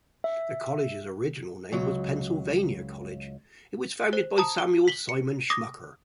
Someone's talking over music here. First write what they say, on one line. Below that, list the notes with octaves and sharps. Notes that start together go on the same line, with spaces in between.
The college's original name was Pennsylvania College; it was founded by Samuel Simon Schmucker.
E5
C#2 F#3
C5
A5 A#5 D#6
G7
B6 F#7 G7
C#7
D6 D#6 A#6